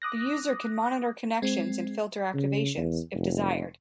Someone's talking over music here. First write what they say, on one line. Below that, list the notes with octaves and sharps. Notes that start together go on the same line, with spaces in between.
The user can monitor connections and filter activations, if desired.
D6 D#6 F#6 A#6
G#3 C4
C#3
E2
F1